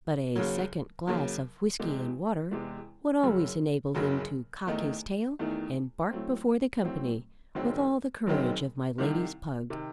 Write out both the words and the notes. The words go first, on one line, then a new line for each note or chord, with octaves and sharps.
But a second glass of whisky-and-water would always enable him to cock his tail and bark before the company with all the courage of my lady's pug.
D#2 C#3 F#3
D#2 C#3 F#3
E2 C3 E3 G#3
E2 C3 E3 G#3
F#1 F#2 C#3 F#3
F#1 F#2 C#3 F#3
E2 D#3 A3 D#4
E2 D#3 A3 D#4
A2 F#3 A3 C4
A2 F#3 A3 C4
F#1 F#2 D#3 F#3 C4
F#1 F#2 D#3 F#3 C4
C2 C3 D#3
C3 D#3